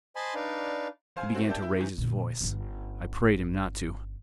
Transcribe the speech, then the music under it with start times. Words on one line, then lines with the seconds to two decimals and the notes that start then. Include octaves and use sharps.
He began to raise his voice--I prayed him not to.
0.16 C5 D#5 G#5 A5 B5 C6
0.35 D4 D#4 B4 D5 F5
1.16 F1 C5 F5 G#5
1.34 A3 C4 F#4
1.47 A#3 D4 G4 E5 A5 G6
1.62 E4
1.77 C3 D#3 E3
1.98 A#2 D3
2.40 G1 C#4